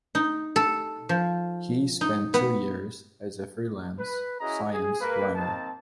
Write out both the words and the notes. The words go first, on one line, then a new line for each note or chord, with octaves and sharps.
He spent two years as a freelance science writer.
D#4
A4
F3
D#4
B3
B4
C#4 E4 F#4 G#4 D#5 A#5
G#4
A#3 B4
A#3 C4 D#4 A5